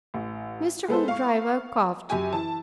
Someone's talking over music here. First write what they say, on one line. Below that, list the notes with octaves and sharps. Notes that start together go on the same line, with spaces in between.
Mr. Hoopdriver coughed.
A1
G#3 B3 A4 C5
F5 C#6
F#2 G4 G#5
E3 A5